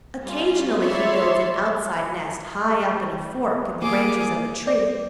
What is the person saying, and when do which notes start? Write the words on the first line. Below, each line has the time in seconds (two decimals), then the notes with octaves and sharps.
Occasionally he builds an outside nest high up in a fork in the branches of a tree.
0.24 G3 C#4 F4
0.81 C#5 D5 E5 B5 C6
3.82 A#3 G#4 D6
4.67 D5